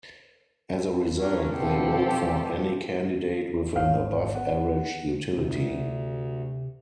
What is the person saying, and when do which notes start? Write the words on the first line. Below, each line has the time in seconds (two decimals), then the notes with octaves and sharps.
As a result, they vote for any candidate with an above-average utility.
1.18 C#4 D4 A#4
1.52 B2 F3 C4 G4 A4
3.76 G#1 A4 C#5 F5
4.35 B3 F#5
5.38 D2 C3